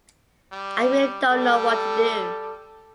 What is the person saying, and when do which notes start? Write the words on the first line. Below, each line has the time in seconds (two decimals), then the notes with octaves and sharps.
I really don't know what to do.
0.52 G3
1.31 G3 A4